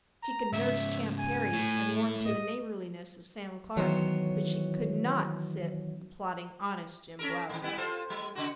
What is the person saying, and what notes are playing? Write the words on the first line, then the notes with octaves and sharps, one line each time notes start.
She could nurse Champ Perry, and warm to the neighborliness of Sam Clark, but she could not sit applauding Honest Jim Blausser.
A#5
G#2 C#3 E5
G#5
A2
D#5
D#3 E3 F#3 B3 C5 C#5
C#4 A4 A#4
G#2 D#3
G3 B3 E4
F4 A4 C5
G3
C#3 F#4